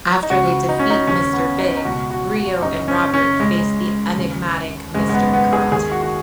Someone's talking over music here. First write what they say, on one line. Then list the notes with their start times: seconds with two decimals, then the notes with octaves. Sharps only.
After they defeat Mr. Big, Ryo and Robert face the enigmatic Mr. Karate.
0.23 D#4
0.30 C#2 C#3 F#4
0.69 D#4
0.79 C#4
0.90 D#4
1.07 D#2 C#3 C#4
1.33 B3
1.59 D#4
1.77 D#4
1.85 C#2 B2 F#4
2.11 F#4
2.36 F#4
2.62 F#1 F#2 C#3 D#4
2.88 C#4
3.14 C#4
3.40 C#2 C#3 G#3
4.17 D#2 C#3
4.94 G#1 F#2 C#3 G#3
5.09 G#3
5.14 B3
5.33 B3
5.53 G#4
5.72 D#2 D#3 G#4
5.92 F#4
6.02 F#4